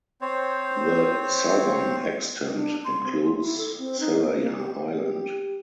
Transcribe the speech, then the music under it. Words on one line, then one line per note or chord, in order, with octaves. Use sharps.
The southern extent includes Selayar island.
C4 C5 C#5
D4
C6
C4
C6
E4
A4
C4
D#4
A#4
A#3
G4
G4